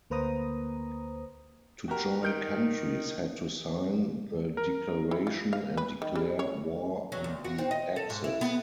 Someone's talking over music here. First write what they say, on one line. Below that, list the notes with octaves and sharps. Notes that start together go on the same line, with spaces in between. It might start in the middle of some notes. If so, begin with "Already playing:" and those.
To join countries had to sign the Declaration and declare war on the Axis.
D2 A#3 B4 C5 A#5 D#6
F#4 G4 A#4
D#3 F6 G6 D7
A#4
E4
F4
F5
B4
D#3
G3
C#5
F#3
D2
F#4
C4
D#5
A4
G#2
E4
B3